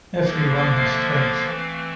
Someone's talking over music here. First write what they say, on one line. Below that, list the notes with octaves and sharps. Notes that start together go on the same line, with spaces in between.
Everyone has strengths.
D3 F3 A#3 F5
F5
E5
F5
E3 A3 C4 F5